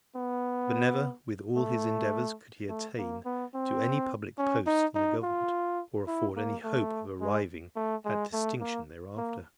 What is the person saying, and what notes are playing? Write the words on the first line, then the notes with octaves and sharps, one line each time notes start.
But never, with all his endeavours, could he attain to any public post in the government, or afford any hope of arriving at distinction thereafter.
B3
A3
A3
A#3
B3
C4
C#4
D#4
D#4
F4
E4
A#3
A3
G#3
A3
G#3
A3
A#3
A#3